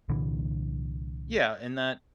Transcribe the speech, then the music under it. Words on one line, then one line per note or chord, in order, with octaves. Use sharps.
Yeah, and that
C2 A#2 D3 E3